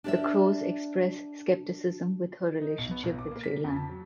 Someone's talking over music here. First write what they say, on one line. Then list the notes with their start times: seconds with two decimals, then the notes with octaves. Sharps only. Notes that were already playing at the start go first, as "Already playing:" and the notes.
The Crowes express skepticism with her relationship with Raylan.
0.04 D4 G4 A#4 C#5 D5 E5
2.62 D#4
2.78 B1
2.91 B3
3.03 B1
3.19 D6
3.31 A#3
3.44 B6
3.64 F2
3.77 A5
3.89 F#3